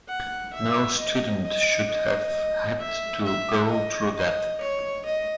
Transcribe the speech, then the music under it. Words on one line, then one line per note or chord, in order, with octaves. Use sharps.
No student should have had to go through that.
F#5
E5
D#5
D#5
D#5
E5
E5
D#5
D#5
C#5
D#5